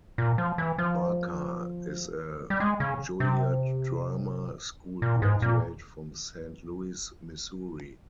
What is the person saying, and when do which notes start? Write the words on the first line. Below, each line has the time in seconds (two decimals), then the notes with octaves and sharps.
Barker is a Juilliard Drama School graduate from Saint Louis, Missouri.
0.18 A#2
0.38 F3
0.58 E3
0.78 F3
2.50 G3
2.60 G#3
2.80 C#3
3.20 C3
5.02 A#2
5.22 G#2
5.42 A#2